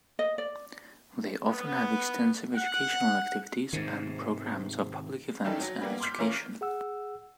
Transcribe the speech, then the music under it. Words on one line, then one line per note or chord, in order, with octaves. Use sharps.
They often have extensive educational activities, and programmes of public events and education.
D#5
D5
B3
F#5
G#2 C3 D#3
D#3 E3 G3 D#4 G4 A4
F#3
G3 A#3 B3
C6 D6 F6 G6 B6
E3 C#4 F4 A#4 C#5
G#4 F#5 E6